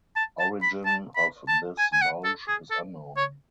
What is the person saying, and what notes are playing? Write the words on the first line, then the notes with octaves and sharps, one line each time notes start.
Origin of this bulge is unknown.
A5
A5
B5
A5
B5
A5
G#5
G#5
F#5
A4
G#4
A4
C#5